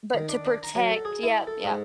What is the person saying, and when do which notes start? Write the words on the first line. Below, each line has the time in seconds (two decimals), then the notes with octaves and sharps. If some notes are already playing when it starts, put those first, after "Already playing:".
But, to protect, yeah, yeah,
0.14 D#3
0.29 D4
0.46 D4
0.63 A#5
0.75 F#3
0.91 A4
1.05 G#4
1.23 E4
1.47 A4
1.64 G#2